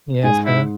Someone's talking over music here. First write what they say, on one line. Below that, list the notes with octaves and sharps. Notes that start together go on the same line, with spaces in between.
Yeah, so
G#2 G#4
E4